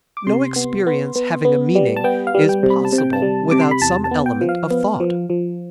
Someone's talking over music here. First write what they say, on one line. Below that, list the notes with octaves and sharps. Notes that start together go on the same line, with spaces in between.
No experience having a meaning is possible without some element of thought.
D6
C3 C6
B3
B3
B3
B3
G3
A5
B3 G5
F5
G3
G5
C3
B5
A5
C3
G5
A5
G3
C3 D6
C6
B5
E2 A5
A5
B3
G5
F3
F5
B3
F3
F3